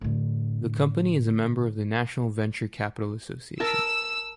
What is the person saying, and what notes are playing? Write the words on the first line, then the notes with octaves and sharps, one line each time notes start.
The company is a member of National Venture Capital Association.
A2 D3
A#4 A5 E6